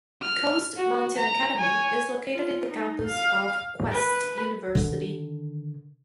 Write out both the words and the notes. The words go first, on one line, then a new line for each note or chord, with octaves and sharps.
Coast Mountain Academy is located in the campus of Quest University.
F6
F#4
A#5
C#5 G#5
F4
D#4
F5
B4
D3 D#3